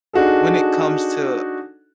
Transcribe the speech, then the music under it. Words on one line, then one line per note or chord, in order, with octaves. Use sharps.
when it comes to
D4 D#4 F#4 G#4 A4